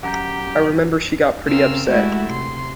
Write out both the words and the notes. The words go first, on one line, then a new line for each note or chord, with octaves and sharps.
I remember she got pretty upset.
F#2 G4 F#5 A#5 G6
C#3 C4 A#4 E6 F6
G#3 A3 E4 F#4 G4
C3 C6